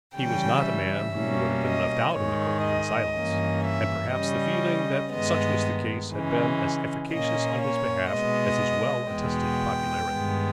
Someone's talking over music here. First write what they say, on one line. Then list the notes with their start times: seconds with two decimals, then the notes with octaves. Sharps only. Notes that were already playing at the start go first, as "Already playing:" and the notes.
He was not a man who would have been left out in the cold in silence, and perhaps the feeling that such was the case had been as efficacious on his behalf as his well-attested popularity.
0.15 C#3 E3 G3 C#4 G5
0.65 E5
1.15 B2 G3 A#3 C#4
1.64 D#5
2.15 G#2 D#3 G#3 C#5
2.64 D#5
3.14 G2 E3 A#3 C#4
3.64 E5
4.13 C#3 G3 C#4 D#5
5.13 G2 D#3 G#3 B3 D#5
6.13 C#3 E3 G#3 C#4
7.12 A#2 A#3 C#4 D#5
7.61 C#5
8.11 B2 G#3 B3 D#5
9.11 E2 B2 G#3 B3 G5
10.10 G2 D#3 G#3 B3